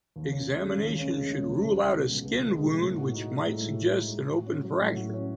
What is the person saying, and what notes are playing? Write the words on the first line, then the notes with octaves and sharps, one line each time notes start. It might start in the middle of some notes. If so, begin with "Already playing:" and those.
Examination should rule out a skin wound which might suggest an open fracture.
D#2
C#4
G#3
C#3
D#2
C#4
G#3
C#3
C#2
C#2
G#3
B2
C#2
C#2
G#3
B2
A2
F#4
D#4
G#3
A2
F#4
D#4
G#3
A2
F#4
C#4
F#3
A2
F#4
C#4